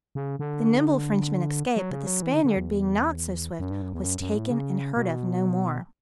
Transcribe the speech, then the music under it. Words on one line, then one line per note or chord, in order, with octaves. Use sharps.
The nimble Frenchman escaped; but the Spaniard being not so swift, was taken and heard of no more.
C#3
D3
F#3
C#3
F#3
E3
D3
D3
E2
F#2
G2
F#2
E2
F#2
F#2
A2
C#3
B2